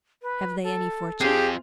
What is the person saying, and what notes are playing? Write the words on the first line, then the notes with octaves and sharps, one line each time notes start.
"Have they any fortune?"
B4
A4
C4 F4 G4 G#4